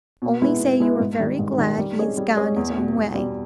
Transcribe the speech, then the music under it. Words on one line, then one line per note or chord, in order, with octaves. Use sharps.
'Only say you are very glad he is gone his own way.'
B2
G#3 B3 E4
B2
G#3 B3 E4
G#2
D#3 G3
G#2
D#3 G3
G3
C#4 G#4 D#5
G3
C#4 G#4 D#5
E2
B2 G3
E2
B2 G3